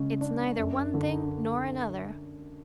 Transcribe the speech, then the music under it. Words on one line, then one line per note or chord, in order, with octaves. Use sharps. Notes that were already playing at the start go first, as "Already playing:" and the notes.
It's neither one thing nor another.
Already playing: C#3 G#3
D4
F#2
D3